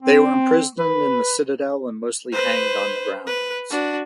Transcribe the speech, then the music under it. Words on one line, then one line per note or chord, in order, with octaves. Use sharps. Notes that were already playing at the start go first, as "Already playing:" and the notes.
They were imprisoned in the citadel and mostly hanged on the grounds.
C4
B4
B4 C5
B4
D4 F#4